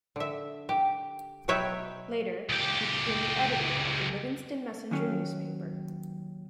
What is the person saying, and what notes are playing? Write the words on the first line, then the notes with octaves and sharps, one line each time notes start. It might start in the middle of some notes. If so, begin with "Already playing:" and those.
Later, he became the editor of the "Livingston Messenger" newspaper.
D3 E5
G4
B2 F#3 B4 C#5 E5 G5
C#2 G4
D#2 D#3 F#3 C#4